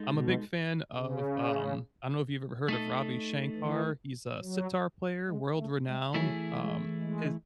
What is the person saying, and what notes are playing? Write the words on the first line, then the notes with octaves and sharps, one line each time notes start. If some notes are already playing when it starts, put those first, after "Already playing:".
I'm a big fan of, um I don't know if you've ever heard of Ravi Shankar. He's a sitar player, world-renowned, um, his
Already playing: G#3 D#4 A4
B2
C#3
A3 D#4 A4
E3
F#3
G#3
A3
G#3
E3 F#3 A3 E4 G#4
G#3
G#3